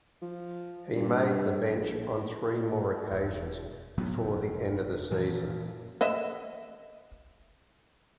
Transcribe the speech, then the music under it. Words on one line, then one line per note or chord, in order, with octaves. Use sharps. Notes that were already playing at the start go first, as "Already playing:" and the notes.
He made the bench on three more occasions before the end of the season.
F3
G2
A#1
E1
A2 C#3 F#3 B3
F1 F2
A#2 E3 F3
B4 D#5 E5